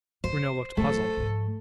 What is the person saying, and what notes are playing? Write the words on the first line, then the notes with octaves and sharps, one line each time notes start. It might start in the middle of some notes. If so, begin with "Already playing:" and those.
Bruno looked puzzled.
E2 C5
F#2 E3 A3 A4
G#2 F3